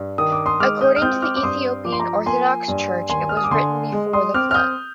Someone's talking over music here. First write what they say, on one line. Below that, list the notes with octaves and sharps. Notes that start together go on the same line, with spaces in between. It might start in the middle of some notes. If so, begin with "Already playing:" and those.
According to the Ethiopian Orthodox Church it was written before the Flood.
Already playing: G2
D#3 D#6
D6
C6 D#6
G#3 D6 F6
D#6 G6
F6
C4 D#6 G6
D6 F6
D6
G2 C6 D#6
F3 D6
C6
A#5 D6
A#3 G#5 C6
G2
D#2 G#5 C6
F6
D#6
D6
D3 G#5 C6
G#3
C6 D#6
C4 D6 F6
F6
D#6 G6